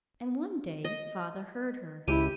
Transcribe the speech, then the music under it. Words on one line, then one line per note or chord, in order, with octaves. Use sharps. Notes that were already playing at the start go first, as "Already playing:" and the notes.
And one day father heard her.
D#5
C#2 E4 G4 D#7